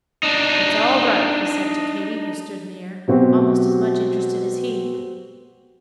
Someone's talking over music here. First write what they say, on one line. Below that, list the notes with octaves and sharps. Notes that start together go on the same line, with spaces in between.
"It's all right," he said to Katy, who stood near, almost as much interested as he.
D4 D#4
B2 F#3 C4 F#4 G4